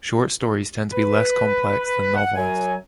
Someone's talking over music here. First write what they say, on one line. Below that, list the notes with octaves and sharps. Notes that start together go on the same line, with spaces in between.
Short stories tend to be less complex than novels.
B4
F#5
F#2 F#3 G#5